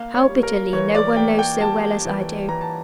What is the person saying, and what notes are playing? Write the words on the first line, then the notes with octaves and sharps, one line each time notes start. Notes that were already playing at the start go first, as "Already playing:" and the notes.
How bitterly no one knows so well as I do.
Already playing: A#3 F5
C#5
G3
A#4
E3 C#5
D5
A#3 G5
G5
G3 A5
E3
E3 A#5
A5